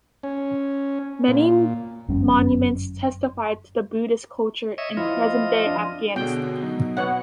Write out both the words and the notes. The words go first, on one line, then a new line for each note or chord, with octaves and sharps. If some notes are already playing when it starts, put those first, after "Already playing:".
Many monuments testify to the Buddhist culture in present-day Afghanistan.
C#4
A#2
G1 F#2 G#3 C#4
C#5 D#5 E5
F3 E4 F4 D#5
D4
B2 D3 G#4 C#5 G5
F#3 D#4
B3 C#5 F#5